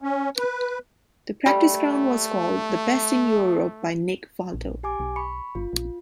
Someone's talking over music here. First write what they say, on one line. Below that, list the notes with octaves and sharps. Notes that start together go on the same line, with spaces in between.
The practice ground was called the best in Europe by Nick Faldo.
C#4
B4
G3 A3
A#1
G4 G#5 D6
B1
B5 C#6 C#7
G1 F4
A#1